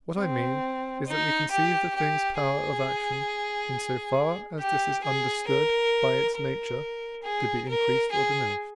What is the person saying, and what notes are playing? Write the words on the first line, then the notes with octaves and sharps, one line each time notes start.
What I mean is, that we conceive the thing's power of action, in so far as this is understood by its nature, to be increased or diminished.
C4
D#4
G4
G4
G#4
G4
G#4
A#4
A#4
G#4
A#4
G#4